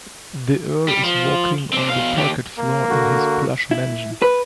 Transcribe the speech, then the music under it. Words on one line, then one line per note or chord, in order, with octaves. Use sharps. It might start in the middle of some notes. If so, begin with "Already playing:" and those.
The earl is walking on the parquet floor in his plush mansion.
G3
F3
C4 D4
B2 F5
D#2 G4
A#3
D3 F#4
E4
B4